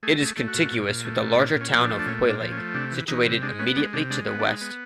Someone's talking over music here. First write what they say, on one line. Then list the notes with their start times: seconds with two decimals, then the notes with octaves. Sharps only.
It is contiguous with the larger town of Hoylake, situated immediately to the west.
0.03 A3 G#4
0.20 A3
0.25 G#4
0.37 A3
0.48 F#4
0.54 A#2
0.71 A#2
0.88 A#2
1.05 A3
1.21 A#2
1.39 A#2 D4
1.55 A#2
1.61 C#4
1.72 F3
1.84 D4
1.89 A3
1.99 D4
2.06 A#2 C#4
2.24 A#2
2.29 D4
2.41 F3
2.52 C#4
2.57 A3
2.74 C3 D4
2.92 E3
3.08 E3 D#4
3.26 C3
3.42 G#3 D4
3.59 B3 C#4
3.76 G#3 D4
3.93 C3 D4
4.10 G#3 D4
4.27 B3
4.39 D4
4.44 G#3 D#4
4.61 B3